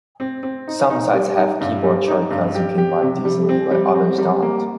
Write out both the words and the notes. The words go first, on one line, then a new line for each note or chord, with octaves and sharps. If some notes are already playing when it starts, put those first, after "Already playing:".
Some sites have keyboard shortcuts you can bind easily, but others don't.
C4
C4
D#4
D#4
G3
D#4
G2
G3
D#4
G2
G4
G4
C3
G3
C4
G3
C4
G3
A#3